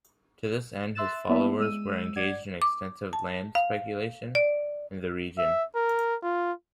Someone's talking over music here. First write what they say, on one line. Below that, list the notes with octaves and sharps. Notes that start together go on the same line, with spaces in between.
To this end, his followers were engaged in extensive land speculation in the region.
E5 C6 E6 F#6 A6 E7
A#3 B3 E4 D5 E5 A5
G#3 E6 D#7
D5 F#5 G#6
D6
A5
F5
D5
E5
A#4
F4